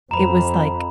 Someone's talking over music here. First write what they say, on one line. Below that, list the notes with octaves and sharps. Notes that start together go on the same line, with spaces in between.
it was, like
F2 A#5 B5